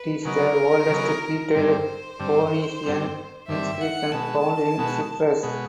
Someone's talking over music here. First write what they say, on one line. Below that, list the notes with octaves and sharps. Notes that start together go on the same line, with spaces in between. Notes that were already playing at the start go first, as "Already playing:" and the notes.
It is the oldest detailed Phoenician inscription found in Cyprus.
Already playing: B4
C#3 F#3 B3 D#4 A#4
C#3 F#3 B3 D#4
G2 D3 G3 C4 C5
G2 D3 G3 C4
G2 D3 G3 C4
G2 D3 G3 C4 E5
F#5
B2 G#3 B3 A5
B2 G#3 B3
B2 G#3 B3